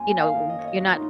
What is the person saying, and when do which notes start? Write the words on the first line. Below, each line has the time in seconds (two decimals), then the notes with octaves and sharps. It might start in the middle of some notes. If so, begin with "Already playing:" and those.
you know, w you're not
Already playing: F#2 A#3 G#5 A#5 C6
0.20 F5
0.35 D#3
0.50 D#5
0.59 C#5
0.68 D#5
0.80 F#2 F#4
0.87 F4
0.95 D#4